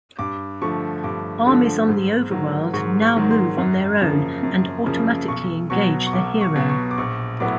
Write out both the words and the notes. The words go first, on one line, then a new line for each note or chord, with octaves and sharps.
Armies on the overworld now move on their own and automatically engage the hero.
G2 D6
D3 F3 A3 C#6
G2 D6
D3 F3 A3
G#2
D#3 F#3 A#3
G#2 C#6
C#6
D#3 F#3 A#3
C6
F#2
C#3 F3 A#3
F#2
C#3 F3 A#3
B1 C#6
B2 F#3 C#6
C#6
B1 D6
C#6
B2 F#3
C#6
D6
A#1 C#6
A2 F#3 B3 E4 D6